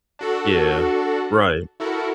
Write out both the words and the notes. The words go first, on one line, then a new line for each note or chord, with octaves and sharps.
Yeah, right.
D4 F#4 A4
E4 F#4 A4 A#4